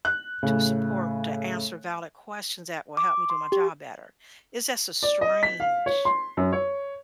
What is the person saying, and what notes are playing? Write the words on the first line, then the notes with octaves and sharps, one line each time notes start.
to support, to answer valid questions that will help me do my job better." It's just a strange
F#6
A2 C#3
D6
C6
G4
D5
D#5
B6
F5
C#5
C6
F#2
C#5